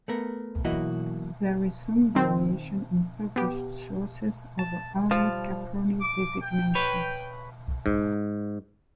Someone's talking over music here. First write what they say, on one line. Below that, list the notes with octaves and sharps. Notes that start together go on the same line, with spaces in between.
There is some variation in published sources over early Caproni designations.
A3 B3 A#4
B1 E3 A#3 E4 F#4 D#5
D#3 C4
B3 G4
A5
F3 G3 A5 F6
D6
G5
B4 C#5
G#2